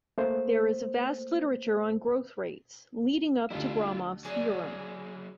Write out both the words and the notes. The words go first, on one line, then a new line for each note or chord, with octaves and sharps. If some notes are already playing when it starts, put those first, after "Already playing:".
There is a vast literature on growth rates, leading up to Gromov's theorem.
A3 A#3 C5
A1 D2 E4 F4
F#3 G#4 D5 G#5